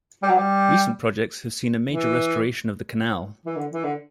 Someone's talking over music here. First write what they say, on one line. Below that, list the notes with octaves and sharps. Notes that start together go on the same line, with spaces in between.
Recent projects have seen a major restoration of the canal.
G3
F#3
G3
E3
E3
D3
E3
D3